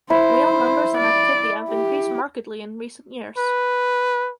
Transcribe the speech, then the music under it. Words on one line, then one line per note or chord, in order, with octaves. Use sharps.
Whale numbers and activity have increased markedly in recent years.
E4 C5
D5
G4
B4